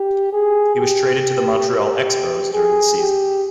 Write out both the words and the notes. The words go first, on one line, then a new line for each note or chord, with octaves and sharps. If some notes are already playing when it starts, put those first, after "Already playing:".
He was traded to the Montreal Expos during the season.
Already playing: G4
G#4
G4
G#4
G4